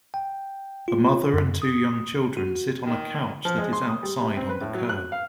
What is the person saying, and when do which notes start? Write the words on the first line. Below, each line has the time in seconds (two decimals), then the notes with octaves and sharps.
A mother and two young children sit on a couch that is outside on the curb.
0.14 G5
0.88 F4
1.33 F#2
1.62 D#6
2.37 F#4
2.85 D#3
3.45 F3
3.58 G#3
3.73 C6
3.87 D#6
4.03 G3
4.21 C3
4.37 C4
4.49 B4
4.61 A2
4.74 F#3
4.89 F#6
5.12 F5